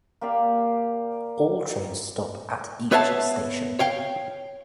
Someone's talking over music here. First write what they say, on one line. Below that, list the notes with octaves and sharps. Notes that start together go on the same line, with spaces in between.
All trains stop at each station.
A#3 G4 D5 F5
B3 B4 C#5 E5 F5 A5
C#5 F5 G5